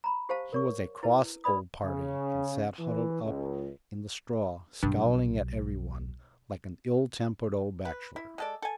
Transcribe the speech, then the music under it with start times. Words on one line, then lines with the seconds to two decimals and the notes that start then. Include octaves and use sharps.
He was a cross old party, and sat huddled up in the straw, scowling at every one, like an ill-tempered old bachelor.
0.04 A#5 B5
0.29 G4 C5 F5 A5
0.53 A#4 C#5 C#6
1.03 E4 B4 A5
1.44 D4 B4 D5 B5 D#6
1.84 C#3
2.79 E3
3.23 C#2
4.83 B1 G2
7.85 B4
8.16 E4
8.38 G#3 A4 D5
8.62 A4 G#5